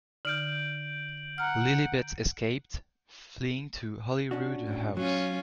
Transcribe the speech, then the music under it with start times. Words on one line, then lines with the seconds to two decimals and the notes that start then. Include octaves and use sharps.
Lilibet escaped, fleeing to Holyrood House.
0.25 D3 D#4 F6 G6 D7 F#7
1.38 F#5 A#5 F6
4.31 C#4 D4 F#4
4.67 A2
4.97 F#3 C#4 F4